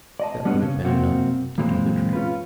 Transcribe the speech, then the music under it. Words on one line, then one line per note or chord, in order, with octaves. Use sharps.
That would have been enough to do the trick.
D5 D#5 A5
G3 B3 D4 B4 C#5
C#3
F#2 C3 A#3 C4 F#4
F#2 A#2 E3 G#3 C4
C#4 F4 B4